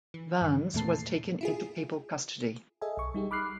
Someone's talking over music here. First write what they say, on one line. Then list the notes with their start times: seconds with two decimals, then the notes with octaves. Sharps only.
Vannes was taken into papal custody.
0.14 E3
0.41 G2 D#3
0.74 E2 A#2 A3 A5 C7
1.41 E4 F4 G#4
2.81 G#4 A4 D#5 E5 G#5
2.97 B1 C#6
3.14 G3 D#4 G4 G#4
3.31 B5 D6 F6 F#6 C7